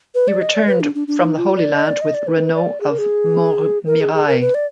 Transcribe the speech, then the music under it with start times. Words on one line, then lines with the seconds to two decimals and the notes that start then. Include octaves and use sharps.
He returned from the Holy Land with Renaud of Montmirail.
0.15 B4
0.28 D5
0.41 D#5
0.54 D5
0.67 B4
0.80 D4
0.95 D4
1.08 D4
1.21 D#4
1.38 F4
1.56 D5
1.74 D#5
1.87 D5
2.02 D#5
2.14 D5
2.27 B4
2.55 D5
2.81 G#4
2.90 A#4
2.98 G#4
3.87 A#4
4.01 G#4
4.14 G#4
4.27 A#4
4.41 B4
4.54 D5